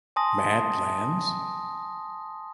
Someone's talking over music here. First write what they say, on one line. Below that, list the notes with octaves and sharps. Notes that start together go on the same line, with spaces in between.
Mad Lands?
G#5 A5 C6 D#6 A#6